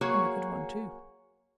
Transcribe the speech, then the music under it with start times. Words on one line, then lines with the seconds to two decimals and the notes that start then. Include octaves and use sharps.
"And a good one, too."
0.01 F#3 A#3 F#4 G#4 C#5